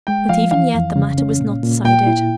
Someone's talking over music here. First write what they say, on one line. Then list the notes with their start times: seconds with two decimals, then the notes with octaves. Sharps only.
But even yet the matter was not decided.
0.07 G#3 G5
0.29 F3 F5
0.51 E3 F5
0.74 F2
0.96 C#3
1.18 C#4
1.40 A#2
1.63 A#2
1.85 A#2 G5
2.07 E4